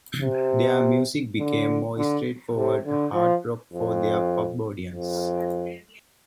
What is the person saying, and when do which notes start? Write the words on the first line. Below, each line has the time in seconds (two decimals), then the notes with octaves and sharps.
Their music became more straightforward hard rock for their pub audiences.
0.22 C3
1.39 D3
1.97 D3
2.56 C3
2.85 D3
3.14 F3
3.73 F2
4.90 F2